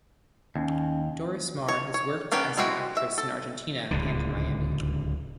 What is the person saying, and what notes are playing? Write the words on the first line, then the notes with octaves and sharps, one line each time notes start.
Dorismar has worked as an actress in Argentina and in Miami.
D#2 C#4
C#5
C#5
A#3 B3 C#4 D4 G4
G#3 C4 E4 F#4 G4
E5
A4
D1 C#2 D3